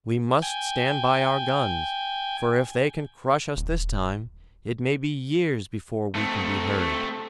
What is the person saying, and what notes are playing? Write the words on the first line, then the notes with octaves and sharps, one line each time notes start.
"We must stand by our guns, for if they can crush us this time, it may be years before we can be heard."
G5 G#5
D#1
A3 C4